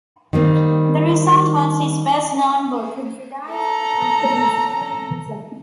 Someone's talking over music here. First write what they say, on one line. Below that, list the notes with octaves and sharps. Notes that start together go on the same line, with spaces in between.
The result was his best-known book, "Judaism and Vegetarianism".
D#3 G3 A#3 C4
A4 A#5